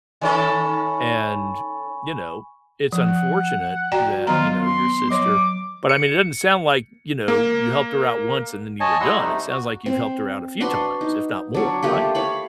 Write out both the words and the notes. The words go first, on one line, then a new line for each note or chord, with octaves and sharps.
And, you know, it's unfortunate that, you know, your sister but, I mean, it doesn't sound like, you know, you helped her out once and then you were done, it sounds like you've helped her out a few times, if not more, right?
D#3 C#4 A4 G#5 B5 C#6
F3 F#5
F#4 D5 G5 A#5
D#3 F#3 B3 F4 A#5
C6
F#3 C#5 D6
C#7
A#3
C#5 D#5 G#5 A5
G3 E4 D#5 F#5 C6 E6
C3 G3 A3 D#4
F#4
C4
D4 F#4 B4 C6
D#4
F#3 D4
A3 A#3 F4 G4
C#5 F5 B5